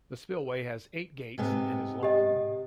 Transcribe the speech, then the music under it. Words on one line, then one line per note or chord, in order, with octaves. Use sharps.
The spillway has eight gates and is long.
G#2 C3 B3
G4 D#5